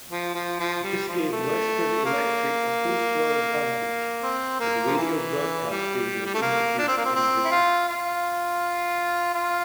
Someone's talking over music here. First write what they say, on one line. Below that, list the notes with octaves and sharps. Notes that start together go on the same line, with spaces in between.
This gave Western Electric a post-war advantage as radio broadcasting was introduced in Britain.
F3
F3
F3
G3
F3
A3
A#3
C4
A#3
F3
E3
G3
G3
A3
A#3
D4
C4
A#3
C4
C4
E4
F4
F4
F4